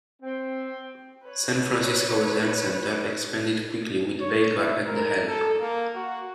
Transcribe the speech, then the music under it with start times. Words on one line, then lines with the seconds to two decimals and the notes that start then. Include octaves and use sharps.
San Francisco Zen Center expanded quickly with Baker at the helm.
0.22 C4
1.25 B4 C#5
4.21 C#5
4.57 E4
4.87 A#4
5.29 A4
5.60 A#3
5.95 F#4